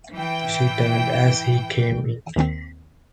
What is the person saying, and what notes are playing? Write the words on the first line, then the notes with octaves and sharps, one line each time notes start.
She turned as he came in.
E3 G5
D#2 D#3 C4